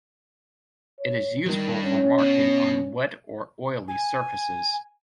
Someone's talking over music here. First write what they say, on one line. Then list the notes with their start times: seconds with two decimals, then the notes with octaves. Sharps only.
It is useful for marking on wet or oily surfaces.
0.99 C#5
1.46 E2 G2 D#3
1.85 C#4
2.18 B2
3.88 G#5